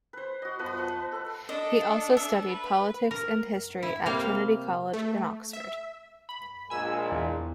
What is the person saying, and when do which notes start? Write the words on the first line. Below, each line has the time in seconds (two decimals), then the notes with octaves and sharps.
He also studied Politics and History at Trinity College in Oxford.
0.13 B4 C5
0.42 F#4 D#5
0.59 F3 B3 B4 C6
0.77 B4 C5 F#5 C#6
1.12 A4 F#5
1.49 D4 A4 D#5
2.17 E5
2.48 B4
3.11 A#4
3.83 E4
4.06 C3 G3 A#3 F5 G5
4.93 A3
5.53 E5
6.29 B5
6.70 A#1 A#2 G#3 G#5 E6
7.12 E2